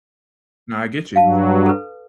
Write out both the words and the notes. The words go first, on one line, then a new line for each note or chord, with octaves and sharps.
Nah, I get you.
G2 F#3 F5 A5
A4 B4